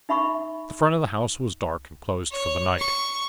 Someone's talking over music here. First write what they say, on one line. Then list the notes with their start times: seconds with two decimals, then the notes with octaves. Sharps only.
The front of the house was dark, and closed for the night.
0.09 D#4 E5 B5 C#6
2.31 C#5
2.79 C#6